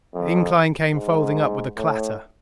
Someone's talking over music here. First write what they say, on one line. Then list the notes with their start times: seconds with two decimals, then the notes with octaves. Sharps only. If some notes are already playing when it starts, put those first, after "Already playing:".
The incline came folding up with a clatter.
0.14 F2
0.95 G#2
1.77 A2